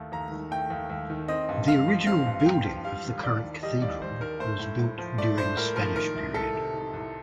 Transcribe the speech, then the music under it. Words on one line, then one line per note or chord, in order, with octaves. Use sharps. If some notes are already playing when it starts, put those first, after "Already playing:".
The original building of the current cathedral was built during the Spanish period.
Already playing: D#2 A3
D#2 A#5
D#3
A3 G5
D#2
D#2
D#3
C4 D#5
G2
G2 F5
F3
C4 F5
G2
F5
G2 G5
F3
G3 F5
D#2
D#2 D5
D#3
G3 D#5
D#2 D5
D#2 C5
D#3 A#4
A3 C5
A2
A2
F3
A3 D5
A2 C5
A2 A#4
F3 A#4
D#3 A#4
C2
C2 A4
C3
D#3
C2